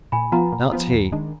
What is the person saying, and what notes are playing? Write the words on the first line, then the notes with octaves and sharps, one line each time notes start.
Not he.
A#2 G#5 B5
F3 B3 F4 F#5 A#5
A#2
F3 B3 F4
D#2
D#3 G#3 D4